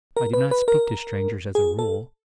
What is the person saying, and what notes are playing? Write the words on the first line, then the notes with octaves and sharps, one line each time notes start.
I do not speak to strangers as a rule.
A#4
B4
B4
A#4
G#4
A4